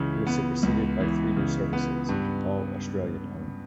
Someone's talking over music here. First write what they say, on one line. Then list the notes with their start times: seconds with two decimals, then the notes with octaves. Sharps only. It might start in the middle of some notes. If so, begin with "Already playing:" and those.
It was superseded by three new services, all Australian-owned.
Already playing: C#2 C#3 E3
0.27 B3
0.63 C#2
1.00 E3
1.36 C#3
1.73 B3
2.09 G2